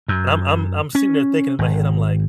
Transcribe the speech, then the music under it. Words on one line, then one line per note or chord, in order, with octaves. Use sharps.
and I'm I'm I'm sitting there thinking in my head, I'm like,
F#2
C#4
G#1